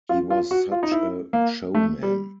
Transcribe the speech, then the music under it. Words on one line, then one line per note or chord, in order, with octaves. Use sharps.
He was such a showman.
F4
F4
F#4
F4
D#4
E4
A#3
A3
G3